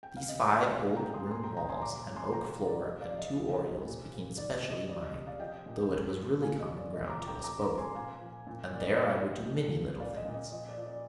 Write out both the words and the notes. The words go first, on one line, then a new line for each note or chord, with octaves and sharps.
These five old room walls, and oak floor, and two oriels, became specially mine, though it was really common ground to us both, and there I would do many little things.
G5
F5
C3 D#5
D5 F5
C3
D#5 G5
A#2 F5 G#5
G5 A#5
A#2
C6 D#6
A#2 G#5 C6
G5 A#5
A#2 G5 A#5
G#5 C6
F3 A#5 D6
A#2
G#5 C6
F3 G5 A#5
C3
D5
F3 D#5
D5 F5
F3
D#5
C3
C3
A#2
F3
D#3 D5
D#5
C3
D#5
C3 D5
D#5
C3 D#5
D5 F5
F3 D#5 G5
A#2
A#2
F3
F3 F5 G#5
D#5
C3
D5
A#2 D#5
A#5 D6
F3
G5 A#5
C3 A#5 D6
A#5 D6
F3
G#5 C6
A#2 F5 G#5
F3
A#2
A#2 D5
D#5
F5
F3 D#5 G5
F3
F3
F3
A#2 D5 F5
D#5
A#2
D#5
F3 D#5
D5
F3
D5